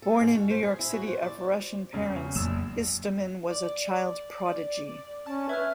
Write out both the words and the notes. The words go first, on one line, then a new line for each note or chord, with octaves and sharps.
Born in New York City of Russian parents, Istomin was a child prodigy.
A4
G#2
F#4
C5
G#4
E4
F#4
C5
D5
E1 C#3
A#1 F2 F#3 A#3 E6 E7
D5
C#4 A5
B4 E5 F6 G#6